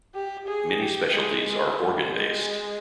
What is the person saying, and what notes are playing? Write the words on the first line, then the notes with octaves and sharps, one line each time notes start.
Many specialties are organ-based.
G4
G#4
G4
G#3
G#3
G3
G#3